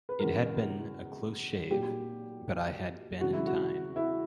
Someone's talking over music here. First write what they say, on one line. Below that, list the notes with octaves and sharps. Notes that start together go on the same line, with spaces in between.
It had been a close shave, but I had been in time.
B4
E1 E2 C#3 A#4
B1 A#2 F#3 G4
E1 E2 C#3 F#3 F#4
E4
F#4
E4